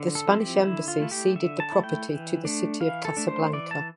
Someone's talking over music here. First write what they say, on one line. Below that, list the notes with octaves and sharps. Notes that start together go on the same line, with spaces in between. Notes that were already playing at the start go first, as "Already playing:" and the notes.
The Spanish Embassy ceded the property to the city of Casablanca.
Already playing: D3
A4
F3 C4 E4
G4
D3 E4
F4
A3 E4
G4
D3 E5
A5
A3 E4
G5
E3
A3 D4
E3 F5
A4
A3 D4
C5
E3 D5
A5